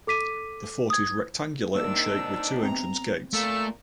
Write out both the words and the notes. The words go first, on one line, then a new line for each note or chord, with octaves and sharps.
The fort is rectangular in shape with two entrance gates.
A4 D6 B6 D#7
D#6 G#6
C3 A#3 D4 D#4 E6
B3 C4 A#5
A#2 A3 A#3 E6